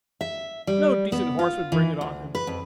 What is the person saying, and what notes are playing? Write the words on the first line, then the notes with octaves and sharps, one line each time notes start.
No decent horse would bring it on him.
E5
G3
B3
F4
E3
D2
B4
F2